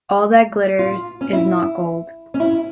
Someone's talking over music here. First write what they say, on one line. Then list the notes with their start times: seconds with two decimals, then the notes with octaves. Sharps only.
All that glitters is not gold.
0.79 F4
1.21 C#4
1.33 E4
2.34 C#4
2.40 E4